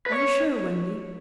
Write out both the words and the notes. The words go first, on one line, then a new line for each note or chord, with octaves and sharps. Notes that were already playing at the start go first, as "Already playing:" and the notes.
"Are you sure, Wendy?"
B4
C#5